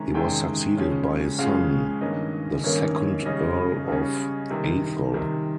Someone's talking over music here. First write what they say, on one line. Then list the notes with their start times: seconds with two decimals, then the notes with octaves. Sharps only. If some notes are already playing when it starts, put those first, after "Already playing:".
He was succeeded by his son, the second Earl of Atholl.
Already playing: C3 D#3 G#3 C#4 A#5
0.14 C3 D#3 G#3 C#4 G5
0.77 C#3 F3 G#3 C#4
1.38 C#3 F3 G#3 C#4 F5
2.01 G2 D#3 A#3 C#4 D#5
2.64 G2 D#3 A#3 C#4 C#5
2.95 C#5
3.25 C#3 G3 C#4 D#5
3.88 C#3 G3 C#4
4.50 C3 D#3 G3
5.12 C3 D#3 G3